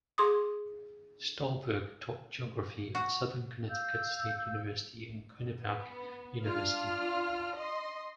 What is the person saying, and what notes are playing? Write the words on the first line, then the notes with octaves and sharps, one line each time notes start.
Stolberg taught Geography at Southern Connecticut State University and Quinnipiac University.
G#4 C6 D6 D#6
F#4
F5 E6 G6
B3
D4 F4 F6
D#5 C6